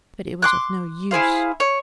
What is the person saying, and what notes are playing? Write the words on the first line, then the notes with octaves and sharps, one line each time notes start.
But it was of no use.
C6 D6 F#6
E4 G#4 C5 F5
C#5